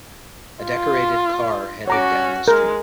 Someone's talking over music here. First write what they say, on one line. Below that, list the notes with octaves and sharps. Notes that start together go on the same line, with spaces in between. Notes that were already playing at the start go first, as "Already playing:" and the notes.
A decorated car headed down the street.
F4
C#4 F#4 C#5 A#5 D6
G#3 A#4